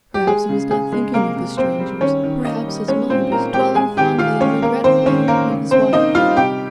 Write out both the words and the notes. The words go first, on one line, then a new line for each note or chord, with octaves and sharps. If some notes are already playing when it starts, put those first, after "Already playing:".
Perhaps he was not thinking of the strangers; perhaps his mind was dwelling fondly and regretfully on his wife?
G4
G#3 G#4
C#3
C#3 G#4
G#3
C3 A#3 A#4
C3
A#3 C4 C5
G3
D#3 C#4 C#5
D#3
A#3 D#4 D#5
G3
G#3 C#4 C#5
A#2 C4 C5
A#2 A#4 A#5
G#3 G4 G5
G#3 G#4 G#5
D#3 G4 G5
D#3 F4 F5
G#3 C#4 C#5
A#3 A#4
D#3 C4 C5
D#3 C#4 C#5
A#3 A#4
C#3
C#3 C4 C5
A#3 D#4 D#5
G3 F4 F5
C3 G4 G5